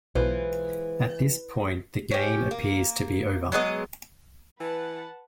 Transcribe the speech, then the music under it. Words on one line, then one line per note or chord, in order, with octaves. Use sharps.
At this point, the game appeared to be over.
B1 E3 G#3 F4 B4 C5
C#4 G4
A#3
F#3 G#3 B3 D#5
E3 B4 F#5 A5